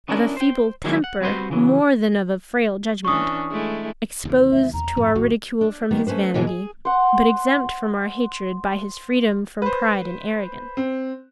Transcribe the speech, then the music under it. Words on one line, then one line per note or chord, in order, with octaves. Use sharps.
Of a feeble temper, more than of a frail judgment; exposed to our ridicule from his vanity; but exempt from our hatred by his freedom from pride and arrogance.
B3 C#4 D4 E4 A4 A#4
C5 G5
D#3 F#3 G#3 A#3 E4
F#5
G3 C4 F#4 B4 C5
C#3 E3 F#3
E3 C#4 D4 C#6 D#6
G#3 A3 E4
D#2 C3 E3
G#3 E5
E2 A#5
F2 G#2
D1 A1 F#3 F#4
D4
D#3 G3 B3
A3 C#4 B4 C5
D#2 G#2 B2 E3 G#3 F4
G#4
C5 F#5
B4 C5
C4